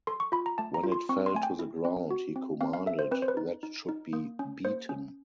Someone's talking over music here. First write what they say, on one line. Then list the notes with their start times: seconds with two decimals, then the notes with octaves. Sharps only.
When it fell to the ground he commanded that it should be beaten.
0.07 A4 C6
0.20 C#6
0.32 F4 B5
0.46 A#5
0.58 A3 A5
0.74 A#5
0.84 F4
0.92 C6
1.09 C4 C#6
1.26 C6
1.35 A3 G#5
1.43 G5
1.59 E4
1.85 C4
2.10 F#4
2.36 C4
2.61 C4 F5
2.73 F5
2.86 A4 E5
2.99 C5
3.11 C4 B4
3.22 C5
3.28 B4
3.37 D#4
3.63 D#4
3.89 D#4
4.13 A#3
4.39 C#4
4.65 A#3 C5
4.89 C#4